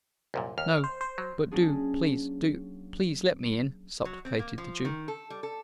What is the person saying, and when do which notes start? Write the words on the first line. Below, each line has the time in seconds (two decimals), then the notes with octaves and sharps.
"No; but do, please--do, please, let me in," supplicated the Jew.
0.34 C2 F#2 A#2
0.58 D#2 F6
0.84 C5
1.01 C5
1.18 F#3
1.52 F#3 A#3 C#4 D4 F#4 G#4
4.05 F#3
4.25 C4
4.39 A#3
4.58 F3
4.85 D#3
5.08 A4
5.30 G3
5.43 A4